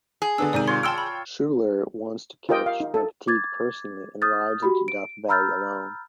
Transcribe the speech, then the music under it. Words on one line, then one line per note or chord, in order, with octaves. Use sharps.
Schouler wants to catch McTeague personally and rides into Death Valley alone.
G#4
D3 B3 D4 E6
G#2 C3 D#3 D5 D#7
F4 C#5 C6
G5 A5 C6 E6 F6 D7
B5
F4 G4 A#4 D#5 G5
F5
D#4
A4
D6 G#6 A6
D#6 F6 G6 A6
F#4 G4 B5
D7
A#5 B5 E6 F6 G6 A6